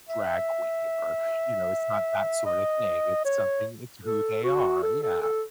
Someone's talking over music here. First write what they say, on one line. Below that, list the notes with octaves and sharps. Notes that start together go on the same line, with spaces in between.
drag queen or, you know, it's not that sorta thing, it's something it's who they are, yeah.
E5
D#5
C#5
A4
F#4
A4
A4
A4